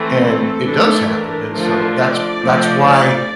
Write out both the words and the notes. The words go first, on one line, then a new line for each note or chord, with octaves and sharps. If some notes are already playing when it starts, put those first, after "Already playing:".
and it does happen, and so, that's that's why,
Already playing: E3 A3 C4
A4
E3 A3 D4
A#4
D3 F3 A3 D4
D5
F3 A3 D4
D5